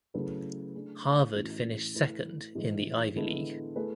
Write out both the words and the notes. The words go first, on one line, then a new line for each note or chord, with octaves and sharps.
Harvard finished second in the Ivy League.
C#3 F#3 A3 E4 B4
A3 D4 G#4
A2 E3 A3 C#4 F#4
A3 E4 B4
A2 E3 G#3
D3 G#3 B3 E4 A4
A3 E4 G#4 B4